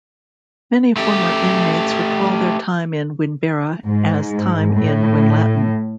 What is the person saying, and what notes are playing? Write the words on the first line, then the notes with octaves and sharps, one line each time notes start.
Many former inmates recall their time in Winbirra as time in Winlaton.
A3 G4
G#2
A2